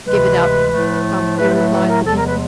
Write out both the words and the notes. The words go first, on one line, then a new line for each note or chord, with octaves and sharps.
"Give it up," promptly replied the King.
D2 C3 E3 G#3 B4
A2 F3 A3
A2 F#3 A3 B4
C5
B4
B4
A#4
E2 C3 F3 G#3 A4
A#4
B4